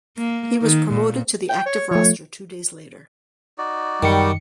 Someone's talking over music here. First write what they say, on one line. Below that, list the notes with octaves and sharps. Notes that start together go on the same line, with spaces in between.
He was promoted to the active roster two days later.
A#3
D#3
A#2
G5
C#5
F3 A3 C#5
D#4 F#4 D5
F#2 D#3 G3 C#7